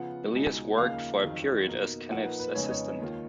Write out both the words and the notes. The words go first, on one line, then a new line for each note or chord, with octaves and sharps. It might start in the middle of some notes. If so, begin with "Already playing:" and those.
Elias worked for a period as Caniff's assistant.
Already playing: C#3 F3 B3 F4 F#5
C#2 B2 G#3 D#4
D#2 C#3 F3 A#3 D#4 F5
F2 D#3 F#3
B2 A#3 D#4
A#2 F3 A#3 D#4 F#5
B4
B4
F2 C#3 G#3 B3 D#4 C#5
D#5
C#5
D#2 D#3 A#3 F4